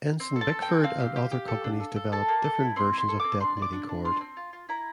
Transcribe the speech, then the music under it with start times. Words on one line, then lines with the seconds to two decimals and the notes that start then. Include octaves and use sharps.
Ensign-Bickford and other companies developed different versions of detonating cord.
0.20 C4
0.36 A4
0.41 A5
0.52 A4
0.62 G5
0.68 C4
0.84 C4 F5
1.00 G4
1.16 G4
1.32 G4
1.48 A4
1.64 D4
1.80 A4
1.96 A4
2.12 A4 A5
2.28 A#3
2.44 A4
2.60 E4
2.76 C4 C6
2.92 E4
2.98 C6
3.09 A4
3.20 C4 D6
3.40 D4 C6
3.57 D4
3.62 D6
3.73 D4
3.89 D4
4.05 F4 C6
4.21 C4
4.37 F4
4.53 F4
4.69 E4 A#5